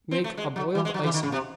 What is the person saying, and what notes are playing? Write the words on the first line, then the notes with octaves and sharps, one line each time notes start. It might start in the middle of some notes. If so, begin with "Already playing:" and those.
Make a boiled icing.
C4
A3
G#3
F#3
E3
G#3
F#3
E3
D#3
C#3
C3